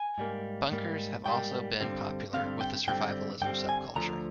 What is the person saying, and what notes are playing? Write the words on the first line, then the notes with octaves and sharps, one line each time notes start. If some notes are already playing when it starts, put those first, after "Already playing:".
Bunkers have also been popular with the Survivalism subculture.
Already playing: G#5
G#2 G3 A#3
G#2 G3 A#3
G#2 G3 A#3 G5
G2 D3 G3 C4
G2 D3 G3 C4 F5
G5
G2 D3 G3 C4 G5
G2 D3 G3 C4 G5
G#5
D2 D3 F3 A#5